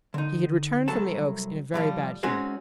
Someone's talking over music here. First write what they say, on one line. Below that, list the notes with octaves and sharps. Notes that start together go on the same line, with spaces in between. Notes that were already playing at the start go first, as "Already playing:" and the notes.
He had returned from the Oaks in a very bad humour.
D3 D#4
C2 F#3 A4 A5
A2 F3 G3
G#3 C4 C#4 D#4 F#4 G#4